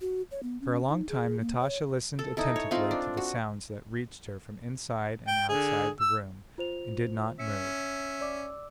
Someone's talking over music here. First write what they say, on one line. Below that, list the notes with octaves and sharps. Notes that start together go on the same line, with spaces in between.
For a long time Natasha listened attentively to the sounds that reached her from inside and outside the room and did not move.
F#4
C#5
B3
C#4
D#4
G#4
A#3
C#5
A4
D#4 E4 A4
C#5
C4 D#4 F4
D4
F#4
G5
D3 G#4
E6
F4 C5 F7
C#4 E5 C#7
D5 D6 E6